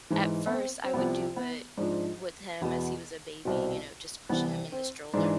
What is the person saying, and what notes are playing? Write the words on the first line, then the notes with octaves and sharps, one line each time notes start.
at first, I would do it w with him as he was a baby, you know, just pushing him in the stroller.
G#2 E3
B3
C4
C4
C2 C3 F3 B3
B3
G#2 F3 D4
E2 B2 B3
C2 B2 C4
C2 C3 E3 B3
C4
G#2 E3 D4